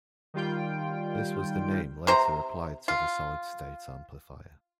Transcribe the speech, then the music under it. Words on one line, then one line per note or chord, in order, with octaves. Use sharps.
This was the name later applied to the solid-state amplifier.
D#3 G3 F4 G5
C3 C5 A#5
F4